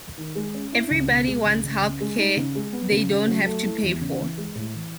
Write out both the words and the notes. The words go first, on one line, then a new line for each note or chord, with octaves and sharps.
Everybody wants health care they don't have to pay for.
D#3
G#3
C#4
E4
C#2
B2
G#3
C#2
C#2
C#3
G#3
D#4
C#3
G#3
B3
C#3
C#3
F#3
A3
E4
E2
C#3
E3
G#3
A2
E3